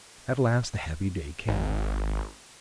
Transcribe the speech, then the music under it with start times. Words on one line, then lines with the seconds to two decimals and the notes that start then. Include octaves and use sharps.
At last the happy day came.
1.48 G#1